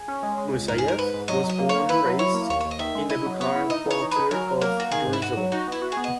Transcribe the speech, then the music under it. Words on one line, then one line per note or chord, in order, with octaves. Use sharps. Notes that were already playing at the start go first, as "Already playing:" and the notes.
Moussaieff was born and raised in the Bukharan Quarter of Jerusalem.
Already playing: G#4
C#4
G#3
G#3
C#2
G#2 A#4
G#4
G#2 A#4
G#2 B4
G#2
F#3 D#5
F#3
D#5
A#3
A#3 C#5
E4 B4
F#3
E4 C#5
A#3
D#2 C#5
C#5
D#2
D#5
D#3 E5
G#3
E4 D#5
F#3
B3 C#5
E4
D#4 D#5
E3
C#5
D#4
G#4 B4
F#3 A#4
F#3
A#3 A#4
A#3 F#4
D#3 G#4
G#2
E4
G#2 F#4
F#3
D#4 F#4
B3 E4
F#4
G#4
B3
D#5